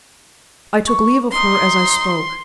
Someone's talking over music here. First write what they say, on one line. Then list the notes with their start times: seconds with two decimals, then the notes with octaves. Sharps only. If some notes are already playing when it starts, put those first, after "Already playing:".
I took leave of her as I spoke.
0.87 C#6
1.32 D#4 C6